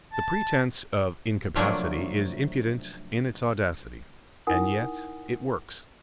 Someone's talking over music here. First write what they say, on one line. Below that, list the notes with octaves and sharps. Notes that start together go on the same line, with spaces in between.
The pretense of incapacity is impudent in its audacity, and yet it works.
A5
C3 F3 F#3 A3 A#3 D4
D#4 E4 A#4 F#5 G#5 D#6